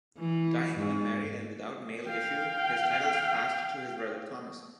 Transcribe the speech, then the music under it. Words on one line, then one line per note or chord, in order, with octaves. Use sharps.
Dying unmarried and without male issue, his titles passed to his brother, Thomas.
E3
G#2
F5 G5